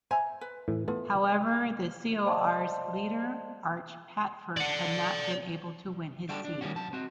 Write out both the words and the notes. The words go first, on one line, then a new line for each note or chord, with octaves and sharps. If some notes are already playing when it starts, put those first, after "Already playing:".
However, the CoR's leader, Arch Pafford, had not been able to win his seat.
C5 E5 G#5 A#5
B4
A2 E3
A3 B3 E4 F4
C5 D5 D#5 F5 A5 C6
D5 F#5
G3 D4 F#4 G4 A4
D4
D#3 G3 A#3 C#4 F#4
F#3 A5
C4 F#4